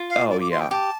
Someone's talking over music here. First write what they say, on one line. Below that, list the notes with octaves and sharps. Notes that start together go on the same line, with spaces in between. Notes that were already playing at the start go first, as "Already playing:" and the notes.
Oh, yeah.
Already playing: F4
F5
D5
D6
C6
G5
G4 A5